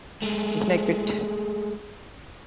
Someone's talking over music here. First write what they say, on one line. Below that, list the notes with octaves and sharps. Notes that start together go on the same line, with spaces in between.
"The Snake Pit".
G#3 A3